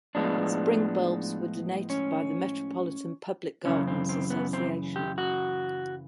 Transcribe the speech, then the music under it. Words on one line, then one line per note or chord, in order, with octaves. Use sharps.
Spring bulbs were donated by the Metropolitan Public Gardens Association.
A2 F3 G#3 B3 D4
C#4
F#2 C#3 E3 C#4
C4
C4
B3
C4
G4
F#4